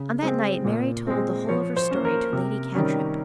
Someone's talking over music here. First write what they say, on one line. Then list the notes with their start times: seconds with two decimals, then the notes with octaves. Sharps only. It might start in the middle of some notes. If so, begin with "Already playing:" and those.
On that night Mary told the whole of her story to Lady Cantrip.
Already playing: C#3
0.23 G#3 C4
0.65 A#2
1.07 G#3 C4
1.49 F3 C#5
1.76 C5
1.91 A#3 C#4
2.05 A#4
2.33 C3
2.75 D#3 G3 C#4